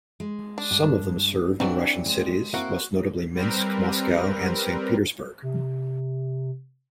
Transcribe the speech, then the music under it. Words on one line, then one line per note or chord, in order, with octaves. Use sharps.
Some of them served in Russian cities, most notably Minsk, Moscow and Saint Petersburg.
G#3
D4
G2
E3 F#3 C4 D4 D5
G#3
A#3 C4 E4 F#4 A#4 C5
G3 C4 A#4 B4
C3